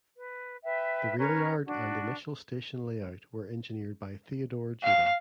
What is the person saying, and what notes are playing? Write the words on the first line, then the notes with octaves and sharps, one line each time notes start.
The rail yard and initial station layout were engineered by Theodore Judah.
B4
B4 E5 G5
C#4 A#4 B4 C#5
D4 F#4
F5